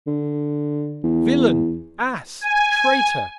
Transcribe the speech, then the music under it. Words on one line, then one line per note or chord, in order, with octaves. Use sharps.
'Villain, ass, traitor!'
D3
E2
G#5